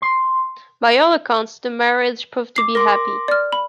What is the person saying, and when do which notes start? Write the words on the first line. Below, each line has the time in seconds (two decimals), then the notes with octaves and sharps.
By all accounts, the marriage proved to be happy.
0.02 C6
2.56 D6 C7
2.75 A#4 C6 D6 A#6
3.28 D5 F6
3.52 B5